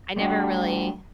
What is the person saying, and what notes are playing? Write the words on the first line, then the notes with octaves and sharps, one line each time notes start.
I never really
G3 A3 B3 D4 F#4 G4